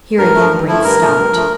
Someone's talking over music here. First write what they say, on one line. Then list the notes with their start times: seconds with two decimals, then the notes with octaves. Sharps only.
Here again Braith stopped.
0.19 G2 A#4
0.35 F3 A3
0.51 G2
0.68 F3 A3 E4
0.84 G2 A#4
1.00 F3 A3
1.17 G2
1.33 F3 A3